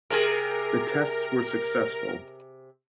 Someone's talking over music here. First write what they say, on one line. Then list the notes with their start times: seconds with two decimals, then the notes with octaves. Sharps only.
The tests were successful.
0.10 C3 G#4 A#4